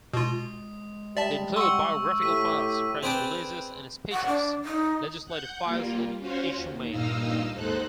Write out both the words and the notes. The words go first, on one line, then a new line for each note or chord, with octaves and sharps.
They include biographical files, press releases and speeches, legislative files, and issue mail.
B2 G#3 F4 D#6
G3 D5 E5 A5
F#5 C6 C#6 E6
A2 G4 B6 D#7
C4 D4 G#4 B4 G5 A5
F#5
D4
D#4
F#5 G6
G3 A#3 F4
C#4 F4 F#4 C5 C#5
D#2
G2 A#2 D#4 D#5 F5 E6
D#2 G#2 D#4 A4 C5 F#6